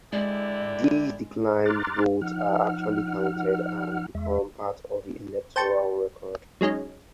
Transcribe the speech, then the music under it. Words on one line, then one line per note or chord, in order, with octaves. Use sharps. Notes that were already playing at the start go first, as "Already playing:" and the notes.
These declined votes are actually counted and become part of the electoral record.
D3 G#3 E4 G4 D5
A#5 C6 D6 F6 F#6 A6
F3 D#4 F#5 F6
E2 G#3 E5
C5 G5 A5 C#6
F#3 G#3 C#4 D#4